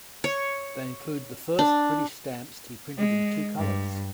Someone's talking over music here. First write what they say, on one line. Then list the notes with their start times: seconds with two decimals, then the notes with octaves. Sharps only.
They include the first British stamps to be printed in two colours.
0.24 C#5
1.59 D4
2.97 G#3
3.57 G2